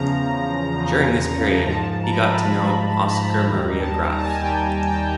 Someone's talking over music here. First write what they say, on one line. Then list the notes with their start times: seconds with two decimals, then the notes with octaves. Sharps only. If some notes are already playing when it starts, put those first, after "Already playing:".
During this period he got to know Oskar Maria Graf.
Already playing: E2 C#3 F3 A#5
0.74 E2 C#3 F3
1.66 G#2 F3 A5
2.03 A#5
2.12 B5
2.49 B5
2.58 G#2 F3 A#5
3.11 B5
3.19 A#5
3.27 B5
3.49 D#2 D#3 G3 A#5
3.80 A5
4.11 A#5
4.18 A5
4.25 G#5
4.32 A5
4.41 D#2 D#3 G3 G5
4.87 G5